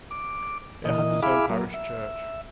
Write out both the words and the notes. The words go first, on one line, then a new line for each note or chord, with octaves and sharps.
It has its own parish church.
D6
A#2 E3 D#5
E4 G#4 E5 F5 B5 D6
F#3 A#3
E5